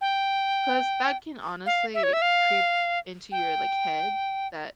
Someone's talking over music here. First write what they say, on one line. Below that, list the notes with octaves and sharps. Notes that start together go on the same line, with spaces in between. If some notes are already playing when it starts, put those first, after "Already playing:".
'Cause that can honestly creep into your, like, head that,
G5
F5
E5
C#5
E5
F5
G5